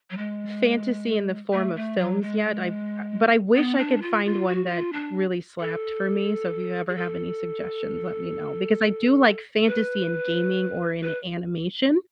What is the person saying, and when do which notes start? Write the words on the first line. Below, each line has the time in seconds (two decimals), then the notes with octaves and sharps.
fantasy in the form of films yet, I've but I wish I could find one that really slapped for me. So if you ever have any suggestions, let me know. Because I do like fantasy in gaming or in animation,
0.11 F#3
0.18 G#3
1.53 A3
1.76 A3
1.98 F#3
2.22 G#3
3.56 B3
3.79 D4
4.02 F4
4.25 F4
4.48 F#4
4.70 F4
4.93 D4
5.61 A4
6.89 G#4
6.96 A4
9.67 B4
11.03 B4